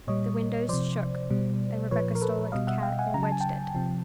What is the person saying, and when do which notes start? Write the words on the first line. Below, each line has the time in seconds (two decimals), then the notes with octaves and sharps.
The window shook, and Rebecca stole like a cat and wedged it.
0.07 A#2 G3 C#5 D#5
0.69 C3 F3 C5 D5
1.30 B2 G3
1.91 A#2 F3 B4 C#5
2.15 A#4
2.22 A4 B4
2.52 B2 G3 D#5 F5
2.67 E5 F#5
2.82 F5 G5
2.99 F#5 G#5
3.14 C#3 F#3 A#5
3.23 A5
3.32 G#5
3.40 G5 A5
3.75 C3 F3